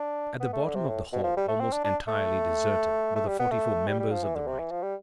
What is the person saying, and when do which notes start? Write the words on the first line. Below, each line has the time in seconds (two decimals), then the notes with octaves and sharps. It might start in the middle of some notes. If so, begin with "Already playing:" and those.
At the bottom of the hall, almost entirely deserted, were the forty-four members of the right.
Already playing: D4
0.40 B3
0.53 A3
0.64 D3
0.76 C3
0.88 A2
1.13 B2
1.24 F3
1.37 G3
1.48 A3
1.60 C4
1.72 D4
1.84 D4
2.08 A3
3.16 A3
3.28 G3
3.39 B3
3.51 A3
3.88 G3
4.00 G3
4.11 F3
4.23 E3
4.35 D3
4.47 C3
4.59 E3
4.71 F3
4.82 G3